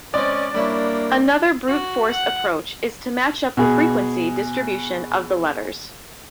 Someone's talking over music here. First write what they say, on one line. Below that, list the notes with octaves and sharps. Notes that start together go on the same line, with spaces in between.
Another brute force approach is to match up the frequency distribution of the letters.
G#3 C4 C#4 D5
G3 A#3 D4 E4 C#5
F#4
F#5
B2 G#4